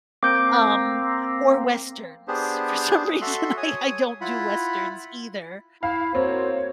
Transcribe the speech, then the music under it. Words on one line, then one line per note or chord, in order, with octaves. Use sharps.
um, or Westerns. For some reason, I I don't do Westerns either,
A#3 C4 D6 G6 D7
B3 D4 G4 G#4 C5
F#4 A4 E5 C6
C#5 G#5 D#6
E4 F4 F#5 B5
E4 F5
A#3 C4 F#4 C5 C#5